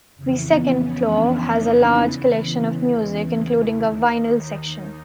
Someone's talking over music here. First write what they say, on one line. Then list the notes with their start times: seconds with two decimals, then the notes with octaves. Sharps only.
The second floor has a large collection of music, including a vinyl section.
0.16 F2 C#3 E3
0.47 B3
0.76 C#4
1.07 D4
1.53 D#4
1.99 E2 C#3 E3
3.83 D#2 D#3